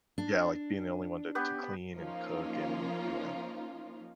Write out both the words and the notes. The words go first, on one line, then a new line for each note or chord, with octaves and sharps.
Yeah, like, being the only one to to clean and cook and, you know,
D4
B3 G4 B4
F3 A#3 C#4 D#4 F4